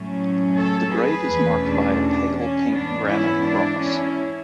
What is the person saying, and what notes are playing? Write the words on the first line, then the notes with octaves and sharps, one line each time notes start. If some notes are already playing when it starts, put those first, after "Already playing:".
The grave is marked by a pale pink granite cross.
Already playing: A2 F#3 A3 C#4
A4 C#5
G#4 B4
E2 B2 A3 C#4
D4
C#4
G#2 E3 G#3 B3 D4
C#4 E4
D4
C#4 E4